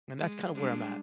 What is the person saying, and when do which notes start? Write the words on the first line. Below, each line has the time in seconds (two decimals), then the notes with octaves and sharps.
and that's kind of where I'm at.
0.18 G#3
0.55 G3 G#3 D4